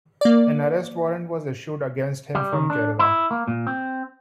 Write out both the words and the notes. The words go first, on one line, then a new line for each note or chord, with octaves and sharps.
An arrest warrant was issued against him from Kerala.
A#3 D5
G3
D#3
D4
E4
A#3
A#2
C4